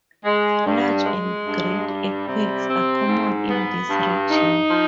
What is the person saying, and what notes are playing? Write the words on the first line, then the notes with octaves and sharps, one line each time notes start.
Large and great earthquakes are common in this region.
G#3
G2
G#3
G2
G3
C3
C4
G#2
B3
G2
D#4
F3